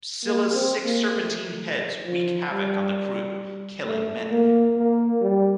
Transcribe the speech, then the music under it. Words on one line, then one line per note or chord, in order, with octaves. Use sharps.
Scylla's six serpentine heads wreak havoc on the crew, killing many.
A#3
C4
A#3
A3
F3
G3
A3
A#3
A#3
G3